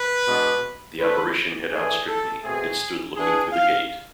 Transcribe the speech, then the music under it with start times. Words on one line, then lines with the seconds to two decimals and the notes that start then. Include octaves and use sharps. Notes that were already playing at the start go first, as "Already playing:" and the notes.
The apparition had outstripped me: it stood looking through the gate.
Already playing: B4
0.26 B2 G#3 B3 D4
0.99 D3 A3 C4 B4
1.71 E3 A3 D4 G#4
2.08 A4
2.43 B2 A3 C4 G#4
3.16 E3 B3 D4 G#4
3.52 F5